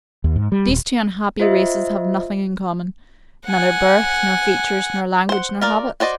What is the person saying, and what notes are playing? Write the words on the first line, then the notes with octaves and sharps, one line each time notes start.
These two unhappy races have nothing in common; neither birth, nor features, nor language, nor habits.
D#2
G#2
G3
D#1
F4 C5 D#5 E5
F#5 G#5
C5 F#5
F4 A#4 D5
F#4 C5 D5 D#5